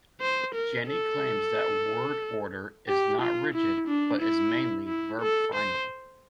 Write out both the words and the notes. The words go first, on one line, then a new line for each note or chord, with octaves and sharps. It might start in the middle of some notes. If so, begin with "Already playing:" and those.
Jany claims that word order is not rigid but is mainly verb-final.
C5
A#4
A4
G4
F4
E4
D4
E4
E4
A4
C5